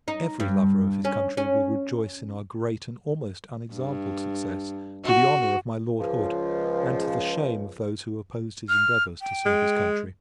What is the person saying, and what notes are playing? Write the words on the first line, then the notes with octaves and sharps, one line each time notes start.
Every lover of his country will rejoice in our great and almost unexampled success, to the honour of my Lord Hood, and to the shame of those who opposed his endeavours to serve his country.
D#4
G2
C#4
C#4
G2
F#4
C#2 F3
F6
G5
G#3